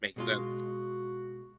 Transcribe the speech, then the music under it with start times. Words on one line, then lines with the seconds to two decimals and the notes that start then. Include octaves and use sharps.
Makes sense.
0.16 B2 G#3 F4 F#4